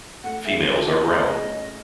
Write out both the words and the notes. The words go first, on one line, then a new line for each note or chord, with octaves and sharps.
Females are brown.
A3 F#5
G#4 E5
C#4 C#5
E4 D#5
A3 D#5
G#4
C#4